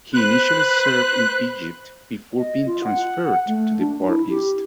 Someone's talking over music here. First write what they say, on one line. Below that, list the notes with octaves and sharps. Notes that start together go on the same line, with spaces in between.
He initially served in Egypt before being transferred to the Far East.
B4 C5 F#6
D#5
F4
F#5
A3
D4
E4
G4